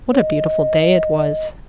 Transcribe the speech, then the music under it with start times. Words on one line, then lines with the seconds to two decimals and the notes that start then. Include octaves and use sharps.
What a beautiful day it was!
0.13 C#5
0.19 D#5